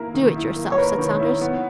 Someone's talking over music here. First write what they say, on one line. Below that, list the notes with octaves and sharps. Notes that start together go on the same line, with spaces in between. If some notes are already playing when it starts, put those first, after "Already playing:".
"Do it yourself," said Saunders.
Already playing: D#3 A#3 E4 A#4
D#3
E4
A#3
C#5
A#4 B4
D#3
E4
B3